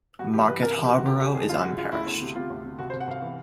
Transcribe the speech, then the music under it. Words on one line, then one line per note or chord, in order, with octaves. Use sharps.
Market Harborough is unparished.
G2 F#4
E3 G4
G2 B4
C3 A#4
E3
G4
C3
F#4
D3 G4
D3 G4
F2 G#4
F#2 F4
C#3 F#4
C#3 F4
D2 E4
D2
C3
C3 F4
D2
C3
C2 F#4
C5
C2
F#5
C2 F5
E3